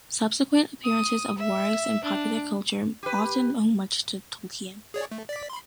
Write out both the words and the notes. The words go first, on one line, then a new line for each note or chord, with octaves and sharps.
Subsequent appearances of wargs in popular culture often owe much to Tolkien.
D#6
E5
D4
G4 B4
G#4 C#5 D5
A3
D5 B6
B5 C6